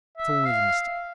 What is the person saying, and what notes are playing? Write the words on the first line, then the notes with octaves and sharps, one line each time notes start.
That's always a mistake.
E5
F5